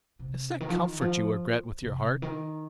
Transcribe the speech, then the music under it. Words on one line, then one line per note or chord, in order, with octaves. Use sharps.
It's not comfort you regret, with your heart!
C3
D#3
F3
D#3
F3
C3
D#3